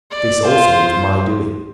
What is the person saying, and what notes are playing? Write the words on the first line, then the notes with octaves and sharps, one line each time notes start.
This also was my doing!
D5
F4 C5